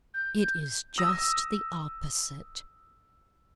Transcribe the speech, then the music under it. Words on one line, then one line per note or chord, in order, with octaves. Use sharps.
It is just the opposite.
G6
D#6 E6 A#6